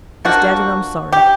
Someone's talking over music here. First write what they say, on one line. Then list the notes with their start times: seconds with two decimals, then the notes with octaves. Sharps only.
He's dead, and I'm sorry.
0.25 D3 F3 A#3 F#4
1.12 G4